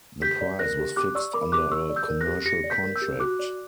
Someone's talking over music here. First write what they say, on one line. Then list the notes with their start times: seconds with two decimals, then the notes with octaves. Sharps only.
The price was fixed under a commercial contract.
0.22 G4 G6 B6
0.41 D5
0.59 A#4 F#6 A#6
0.79 G4
0.96 G4 D6 F#6
1.15 D5 C#6 E6
1.34 A#4 B5 D6
1.52 G4 D6 F#6
1.71 G4 C#6 E6
1.90 D5
1.96 E6 G6
2.08 A#4
2.21 F#6 A#6
2.27 G4
2.45 G4 A#6 C#7
2.64 D5
2.70 G6 B6
2.84 A#4
2.96 E6 G6
3.02 G4
3.20 F#4 D6 F#6
3.39 D5